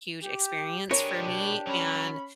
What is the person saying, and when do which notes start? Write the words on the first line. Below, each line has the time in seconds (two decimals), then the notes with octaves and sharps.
huge experience for me, and
0.23 G4
0.91 G#3 B3 D4 G4 A#4 C#5
1.27 B2
1.67 F#3 C#4 A#5 B5